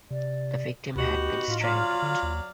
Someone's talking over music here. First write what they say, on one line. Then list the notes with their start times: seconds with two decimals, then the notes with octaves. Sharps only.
The victim had been strangled.
0.11 C3 D5
0.97 D2 B3 D#4 F#4 G4
1.48 A2 F4
1.62 F#3 F4 D5 F5
2.02 D3
2.23 D#2